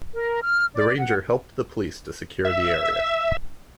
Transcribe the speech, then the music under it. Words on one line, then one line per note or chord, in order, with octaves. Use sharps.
The Ranger helped the police to secure the area.
A#4
F6
D5
F#5
E5